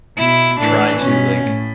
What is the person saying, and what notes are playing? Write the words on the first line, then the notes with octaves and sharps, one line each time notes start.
try to, like,
B2 E4
A2 E3 D4
B2 C#4
A2